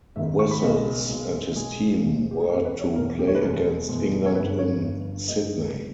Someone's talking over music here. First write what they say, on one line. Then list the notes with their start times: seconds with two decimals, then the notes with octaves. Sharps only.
Wessels and his team were to play against England in Sydney.
0.16 G#1 G#2 D#3 E5
0.39 C#6
0.51 B5
0.63 B1 B2 G#3 D#5
1.09 B1 B2 G#3
1.55 B1 B2 G#3 G#4
2.02 B1 B2 G#3
2.31 G4
2.40 G#4
2.49 E2 B2 G#3 A#4
2.65 B4
2.80 C#5
2.95 E2 B2 G#3 A#4
3.19 G4
3.28 C#5
3.35 B4
3.42 E2 B2 G#3 A#4
3.89 E2 B2 G#3
4.26 C#5
4.35 G1 G2 G3 B4
4.59 C#5
4.81 G1 G2 G3
5.28 G1 G2 G3 D#5
5.75 G3